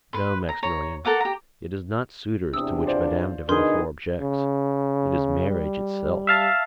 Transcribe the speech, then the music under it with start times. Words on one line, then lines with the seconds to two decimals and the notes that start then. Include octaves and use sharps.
"No, Maximilian, it is not suitors to which Madame de Villefort objects, it is marriage itself."
0.13 B4 C6
0.49 A#5
0.63 C#5 A#5
1.05 A4 A#4 F#5 D6
1.20 G4 A#5
2.54 E2 C3 D4 D#6 E6
2.86 F4 C5 D5
3.49 B2 D3 B3 D#4 G#4 A#4 C6 G6
4.21 C#3
5.50 G3
6.27 E5 F5 A5